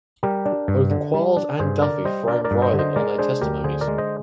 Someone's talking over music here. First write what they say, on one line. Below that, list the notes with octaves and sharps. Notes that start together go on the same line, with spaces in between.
Both Quarles and Duffy frame Raylan on their testimonies.
G3 G4 A#4
D4
G2
D3
G3
D4
G2 G#4 C5
D3 A#4 D5
G3 C5 D#5
D4 A#4 D5
A#4 D5
G2
C5 D#5
D3
C5 D#5
G#3 A#4 D5
D4 G#4 C5
D2 G4 A#4
D3 G#4 C5
A#4 D5
G#3
C5 D#5